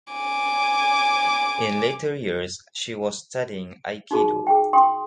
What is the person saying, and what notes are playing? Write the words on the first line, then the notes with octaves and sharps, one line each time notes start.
In later years she was studying Aikido.
G#5 D6
D#4 F#4 G#4 A5
G#4 G5
G5 C6 D#6